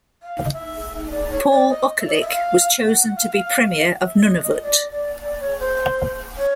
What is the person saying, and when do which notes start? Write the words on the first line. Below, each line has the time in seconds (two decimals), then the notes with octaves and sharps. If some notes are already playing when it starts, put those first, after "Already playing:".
Paul Okalik was chosen to be Premier of Nunavut.
0.23 F5
0.53 E5
1.07 D#5
1.11 D5
1.30 C#5
1.50 D5
1.70 D#5
1.99 E5
2.07 D5
2.14 D#5
2.21 E5
2.28 F5
2.87 F#5
3.01 F#5
3.16 F5
3.31 F5
3.45 F5
4.03 E5
4.23 D#5
4.43 D#5
4.62 D5
4.91 D5
5.21 D5
5.40 C#5
5.60 C5
6.38 C#5